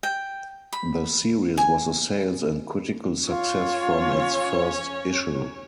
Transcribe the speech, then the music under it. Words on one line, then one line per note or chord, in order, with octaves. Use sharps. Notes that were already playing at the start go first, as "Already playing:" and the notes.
The series was a sales and critical success from its first issue.
G5
B5
G#5
C#4 F4 C#5